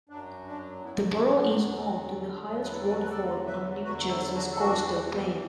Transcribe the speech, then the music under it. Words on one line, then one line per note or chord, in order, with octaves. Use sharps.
The borough is home to the highest waterfall on New Jersey's coastal plain.
F#2 F#3 D4
D4
F#2 F#3 B3 E4
D4
D4
B3
D4
E2 D3 F#3 B3
E2 D3 F#3 D4
B4
E4 A4
D5
F#4 B4
B4
E2 D3 F#3 A4 D5
B4 E5
E2 D3 F#3 F#4 B4
E4 A4
D4 F#4
A4
E2 E3 D4 F#4